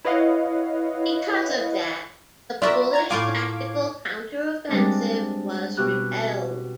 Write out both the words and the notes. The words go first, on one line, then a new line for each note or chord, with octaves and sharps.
Because of that, the Polish tactical counter-offensive was repelled.
E4 B4 C#5 D#5 F5 F#5
F4 F#4 A#4 D5 E5
A#5 G#6
A2 F4 F5 G#5 D6 G#6
G3 G#3 C4 D4
B2 F#4 G4 F#6